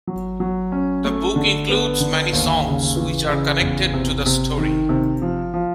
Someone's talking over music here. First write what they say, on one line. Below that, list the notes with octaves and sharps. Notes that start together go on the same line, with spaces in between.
The book includes many songs which are connected to the story.
F#3
F#3
C#4
A3
D3
B3
D3
D#2
C#3
E3
C#3
E2
C3
C3
D#3
C3
F3
F3